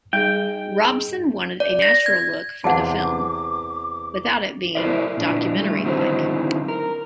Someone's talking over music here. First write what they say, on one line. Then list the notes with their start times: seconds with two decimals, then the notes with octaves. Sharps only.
Robson wanted a natural look for the film, without it being documentary-like.
0.13 G3 D#4 G#4 G5
1.60 D5
1.82 A#6
2.06 G#6
2.64 E2 C3 F#5 A5 D6
4.75 E4 A4 A#4 C5 D5 E5
5.17 A#2 D4 E4
5.55 G3 A3
5.84 D3 D#3 F#3 C4 E4 C5
6.68 A#4